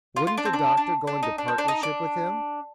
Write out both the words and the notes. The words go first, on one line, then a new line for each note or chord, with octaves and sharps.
Wouldn't the Doctor go into partnership with him?
F4
F4
D4
C4
D4
D4
D4
D#4
D4
C4
D4
D#4
D4